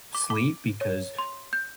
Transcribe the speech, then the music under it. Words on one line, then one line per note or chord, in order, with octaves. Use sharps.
sleep, because
D6
D6
C#5
C6
G6